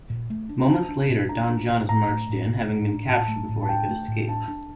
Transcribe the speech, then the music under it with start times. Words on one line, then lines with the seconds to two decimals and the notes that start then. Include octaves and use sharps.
Moments later, Don John is marched in, having been captured before he could escape.
0.10 A#2
0.30 A3
0.49 D4
0.60 A#5
0.69 D4 A5
0.89 D4
1.09 A#2
1.29 D4 A#5
1.49 D4
1.70 A#2
1.89 A2 A#5
2.09 A3
2.29 A2
2.49 A2
2.70 A2
2.88 D4
3.08 A2 A5
3.28 A3
3.49 A2
3.63 A5
3.69 D4 G5
3.89 A3
4.08 A2
4.29 D4 A5
4.48 D4